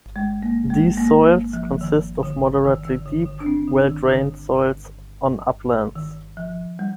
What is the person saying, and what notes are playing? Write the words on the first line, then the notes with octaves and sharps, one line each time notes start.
These soils consist of moderately deep, well drained soils on uplands.
G#3
A#3
G#3
A#3
F3
D#3
D3
D#3
D#3
D3
D3
D4
C4
D3
D#3
D3
D#3
F3
G3